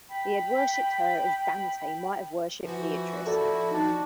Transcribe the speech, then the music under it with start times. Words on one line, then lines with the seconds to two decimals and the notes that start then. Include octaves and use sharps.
He had worshiped her, as Dante might have worshiped Beatrice.
0.08 G5 B5
2.64 E3 F3 F#4
3.27 E4 A4 D5 A5
3.71 D4 D#4 A5